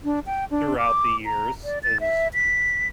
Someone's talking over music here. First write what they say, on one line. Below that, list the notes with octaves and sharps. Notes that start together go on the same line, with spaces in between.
throughout the years is
D4
G5
D4
D6
A#5
D5
A6
E5
B6